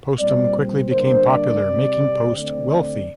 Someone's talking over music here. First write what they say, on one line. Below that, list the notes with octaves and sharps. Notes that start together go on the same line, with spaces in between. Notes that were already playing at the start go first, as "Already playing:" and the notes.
Postum quickly became popular, making Post wealthy.
A#2 G3 C4 D5
D3 G3 A#3 D4 C5
D5
C3 G3 C4
D3 A3 C4 D5